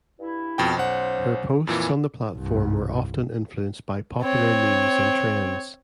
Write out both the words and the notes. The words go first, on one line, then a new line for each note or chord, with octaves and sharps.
Her posts on the platform were often influenced by popular memes and trends.
G2 E4
F2 B2 G5
B1 C#4 C5 F#5
F2 A#2 E3
C2 G2
C4 C#5